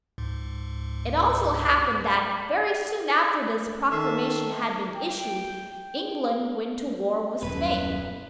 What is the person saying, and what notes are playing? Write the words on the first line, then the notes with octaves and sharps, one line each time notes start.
It also happened that very soon after this proclamation had been issued, England went to war with Spain.
C#2 G#2
D#3 A4 E5 A5 C7
G5
D#1 F#2 B4